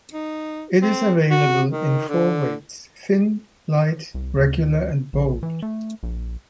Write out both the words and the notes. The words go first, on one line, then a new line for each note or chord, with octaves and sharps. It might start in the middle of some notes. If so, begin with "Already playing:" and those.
It is available in four weights: thin, light, regular and bold.
D#4
C4
F#4
D#3
D3
C2
D2
A#1
E3
A3
A#1